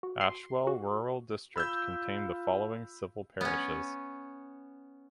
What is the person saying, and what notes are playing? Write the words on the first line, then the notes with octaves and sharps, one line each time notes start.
Ashwell Rural District contained the following civil parishes.
F#4
C6
F#4
F4 B5 E6 G6
B3 C#4